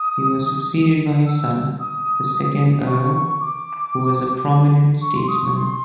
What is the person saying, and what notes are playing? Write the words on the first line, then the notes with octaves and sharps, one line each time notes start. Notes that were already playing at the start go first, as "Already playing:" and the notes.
He was succeeded by his son, the second Earl, who was a prominent statesman.
Already playing: D#6
E6
D#6
C#6
C#6
C#6
C#6
D6
C#6
C6
D#6
C#6
C6